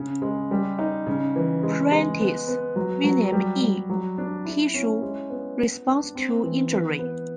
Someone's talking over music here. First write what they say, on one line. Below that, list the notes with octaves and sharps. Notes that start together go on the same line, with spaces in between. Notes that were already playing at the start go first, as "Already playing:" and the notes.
Prentice, William E. Tissue Response to Injury.
Already playing: C#3
G#3
G3
D#4
C#3
E3
G#3
G#3
B3
B3
F#3
F#3
G3
G3
F#3
D4
E4
C#4
G#3
B3
B3
D4
C4
E3
B3
B3